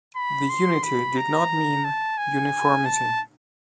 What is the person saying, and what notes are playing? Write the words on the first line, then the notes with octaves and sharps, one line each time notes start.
The unity did not mean uniformity.
B5
C6
B5
A#5
A5
G#5
A5